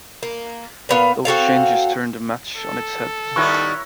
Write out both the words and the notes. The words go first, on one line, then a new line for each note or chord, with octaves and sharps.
Those changes turned the match on its head.
A#3
A#2 B3 F5
C4 F#4 A4 F5
A4
D#3 G3 B3 E4 A#4 C#5 C#6 F#6